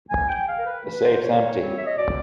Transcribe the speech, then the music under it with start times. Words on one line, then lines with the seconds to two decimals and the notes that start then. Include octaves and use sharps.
The safe's empty.
0.10 E3 A3 G#5
0.28 G5
0.47 C#3 F5
0.57 A#4
0.66 B4
0.84 E3 A3 B4
1.03 C5
1.22 B2 C#5
1.60 G3 C4
1.76 E5
1.86 D#5
1.97 B2 D5